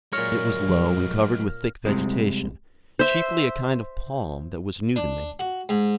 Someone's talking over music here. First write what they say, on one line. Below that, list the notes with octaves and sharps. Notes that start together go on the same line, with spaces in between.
It was low, and covered with thick vegetation,--chiefly a kind of palm, that was new to me.
A#2 F#3 G#3 C#5 F6 A#6
F3
C3 G3 G#3
C5 E5
D4
F#4
G#2